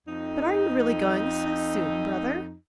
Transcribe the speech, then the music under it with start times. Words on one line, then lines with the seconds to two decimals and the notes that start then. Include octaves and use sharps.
"But are you really going so soon, brother?"
0.07 F2 D#4